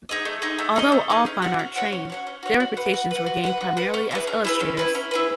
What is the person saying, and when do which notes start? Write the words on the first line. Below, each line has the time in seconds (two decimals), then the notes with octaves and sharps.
Although all fine art trained, their reputations were gained primarily as illustrators.
0.09 D#4 G#4 D#5
0.25 A3
0.42 D#4 G#4 D#5
0.59 A3
0.76 D#4 G#4 D#5
0.92 A3
1.10 D#4 G#4 D#5
1.26 C#4
1.42 F#4 C#5 F#5
1.59 C#4
1.76 F#4 C#5 F#5
1.92 C#4
2.10 F#4 C#5 F#5
2.27 C#4
2.43 F#4 C#5 F#5
2.60 F#4
2.77 B4 F#5
2.94 F#4
3.11 B4 F#5
3.26 F#4
3.44 B4 F#5
3.61 F#4
3.77 B4 F#5
3.94 C#4
4.11 E4 G#4 B4
4.27 C#4
4.45 E4 G#4 B4
4.60 C#4
4.77 E4 G#4 B4
4.95 C#4
5.11 E4 G#4 B4